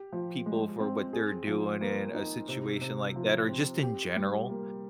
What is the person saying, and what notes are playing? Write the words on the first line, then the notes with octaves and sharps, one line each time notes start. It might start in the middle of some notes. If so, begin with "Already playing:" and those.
people for what they're doing in a situation like that, or just in general.
Already playing: G4
F3
G#3
C4
G#4
F3
A#3
D#4
C3
C3
F3
C4
G4
G3
A#3